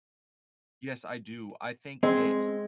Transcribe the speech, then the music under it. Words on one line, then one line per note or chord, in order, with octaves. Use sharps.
yes, I do. I think that
G#3 C4